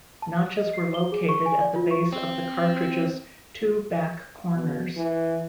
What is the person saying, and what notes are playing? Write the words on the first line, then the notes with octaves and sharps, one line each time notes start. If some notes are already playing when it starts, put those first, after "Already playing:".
Notches were located at the base of the cartridge's two back corners.
A5
F#6
D#5
C7
G7
G#4
C#6
G#5
D5
F4
C#6
C4
B2
E3